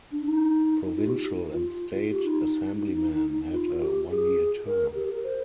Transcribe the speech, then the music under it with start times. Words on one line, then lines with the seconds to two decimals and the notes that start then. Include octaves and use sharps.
Provincial and State Assemblymen had a one-year term.
0.12 D4
0.26 D#4
0.97 F4
1.06 G4
1.53 F4
2.11 G4
2.25 D#4
2.96 D#4
3.10 D#4
3.53 F4
3.81 G4
4.10 G#4
4.66 A#4
4.95 G4
5.09 A#4
5.24 C5